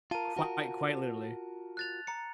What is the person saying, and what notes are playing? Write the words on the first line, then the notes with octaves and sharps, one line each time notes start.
Quite quite literally.
F4 A#4 A5 D#7
F4 F#4 A#4
F#6 A6 F7
A#5 C#7